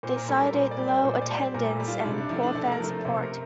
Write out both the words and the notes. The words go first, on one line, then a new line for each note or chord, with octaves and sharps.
They cited low attendance and poor fan support.
A#2 C5
A#4
G3 A4
A#4
A#2 C5
D5
G3
C5
A#2 C5
D5
G3
C5
A#2 A#4
A4
G3
F4
C3 D4
D4
F3 A3 E4
D4
C3 A4
A#4
F3 A3
C3 C5
A#4